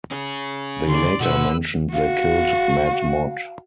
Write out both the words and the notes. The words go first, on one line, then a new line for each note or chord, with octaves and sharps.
They later mentioned they killed Mad Mod.
C#4 G#4
D3 D5 C6
B2 A4 B4 F#5 E6
F#4 F5